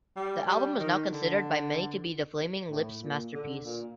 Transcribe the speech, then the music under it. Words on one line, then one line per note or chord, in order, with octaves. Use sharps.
The album is now considered by many to be the Flaming Lips's masterpiece.
G3
G3
D#3
D3
A2
A#2
D3
A#2